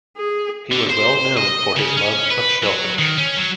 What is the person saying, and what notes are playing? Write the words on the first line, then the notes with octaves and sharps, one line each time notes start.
He was well known for his love of shellfish.
G#4
D3
C5
D#5
C#3
C#4
B4
F#3
D#3
C#4
F#3